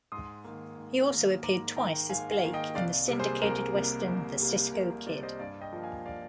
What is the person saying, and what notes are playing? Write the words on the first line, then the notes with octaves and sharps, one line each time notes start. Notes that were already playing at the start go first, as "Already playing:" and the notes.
He also appeared twice as Blake in the syndicated western "The Cisco Kid".
G#2 C6 D#6
D#3 A#3
G#2
D#3 A#3
G#2 A#5 D6
D#3 A#3 G5 A#5
G#2 F5 G#5
F5 G#5
D#3 A#3
D#5 G5
C2 D5 F5
C3 G3 A#3
G#4 C5
C2 A#4
C3 G3 A#3
C2
C3 G3 A#3
C2 A#4
A#4
C3 G3 A#3 A#4 D5
C5 D#5
G2 D5 F5
D#5 G5
F3 A#3
F5 G#5
D5 F5